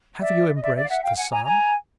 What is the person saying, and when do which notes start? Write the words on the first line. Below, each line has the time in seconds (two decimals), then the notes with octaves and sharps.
Have you embraced the Son?
0.20 D5 E5
0.55 D#5
0.61 D5 E5
0.75 D5 E5
0.83 F5
0.89 E5 F#5
1.02 F5 G5
1.17 F#5 G#5
1.30 G#5 A#5
1.44 G#5 A#5